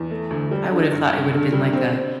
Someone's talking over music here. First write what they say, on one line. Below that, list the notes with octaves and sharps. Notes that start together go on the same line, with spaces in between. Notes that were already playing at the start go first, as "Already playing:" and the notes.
I would have thought it woulda been like a
Already playing: E2
A3
D2
G3
D3
G2
G2
D3
G3
C4
C4